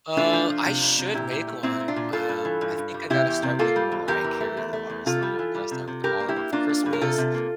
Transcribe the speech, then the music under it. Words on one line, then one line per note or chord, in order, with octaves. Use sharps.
Uh, I should make one. Um, I think I gotta start with Mariah Carey, though, obviously, you know, gotta start with All I Want for Christmas,
A3 D4 F4
F3
F3
C3
F2
C3
A#2 E4 G4
A#2
A3
A#2 C4 E4
A#2
D4 F4
A#2
G2 F4 A4
G2
E3
G2
G2
G3
C3 E4 G4
E2
C3
A#3 F4 A4
G3
E2
E2 G4 A#4
E3
A3
E2
A3
E2
C3 F4 A4
G3
E3
G3
C3
C3
G2 G4 A#4
A#3
E4 G4
A#3
A#3 D4 F4
A#3
G2
A#4
C3 F4 A4
C3
A#3